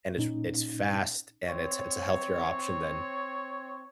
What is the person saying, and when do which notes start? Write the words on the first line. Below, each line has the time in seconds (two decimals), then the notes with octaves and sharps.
and it's it's fast, and it's it's a healthier option than,
0.18 A#2 C#4 D#4
1.48 C4 C#5